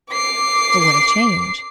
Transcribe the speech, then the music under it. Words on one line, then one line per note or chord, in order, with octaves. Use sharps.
But what a change!
D6 C7